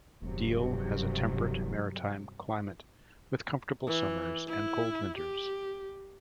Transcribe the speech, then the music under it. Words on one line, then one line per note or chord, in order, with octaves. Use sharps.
Deal has a temperate maritime climate, with comfortable summers and cold winters.
E1 G2 C3 F#3
E3
E4
G4